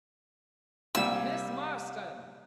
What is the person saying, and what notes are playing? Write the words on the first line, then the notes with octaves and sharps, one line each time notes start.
"Miss Marston!"
C2 G3 A#3 D5 G#5 E6